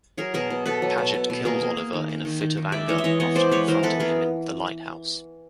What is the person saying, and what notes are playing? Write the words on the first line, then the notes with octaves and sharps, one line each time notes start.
Padgett killed Oliver in a fit of anger after confronting him in the lighthouse.
F#3 G#4 A#4
B2 G#4 A#4
B2
B2 A4 B4
F#3
B2
B2
B2
A#3 G#4 A#4
A#3
A#3
D#3
A#3
D#3
D#3
D#3
G#3 D5 E5
E3 C#5 D#5
E5
E3 C#5 D#5
B3 C#5 D#5
G#3 C5 D5
G#3 B4 C#5
E3 A#4 C5
B3 A4 B4
B3 G#4 A#4